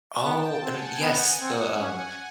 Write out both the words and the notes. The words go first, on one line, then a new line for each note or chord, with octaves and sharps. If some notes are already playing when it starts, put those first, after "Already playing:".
Oh, and yes. The, um,
B3 G5 A5
C4 F#5 G#5
B3
C4
C#4 F#5 G#5